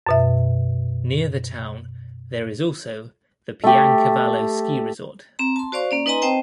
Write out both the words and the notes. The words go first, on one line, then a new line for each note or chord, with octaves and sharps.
Near the town there is also the Piancavallo ski resort.
F#2 B2 E5
A3 G4
C4 A#5
A5 C6
F#4 C5 D5 F5 C#6
A#3 C#4 D5
D#4 B4 D#5 G#5 A#5 C6
C4 C5 D#5 G5 A5